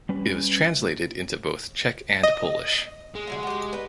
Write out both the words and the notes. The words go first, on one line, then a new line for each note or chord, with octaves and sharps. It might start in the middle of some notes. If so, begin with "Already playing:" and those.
It was translated into both Czech and Polish.
G3 C#4 B4 G#5
D#5
G#3
D3 F#3 E5
F#4 G4
D#4 B4